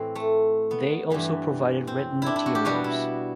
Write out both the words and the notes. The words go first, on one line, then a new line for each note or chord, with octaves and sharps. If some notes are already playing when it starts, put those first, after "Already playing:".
They also provided written materials.
Already playing: A2 E3 C4 E4
A3
B3
G2 E3 G3
C4
D4 E4
E4
F#4
G4
B2 G3 F#4
E4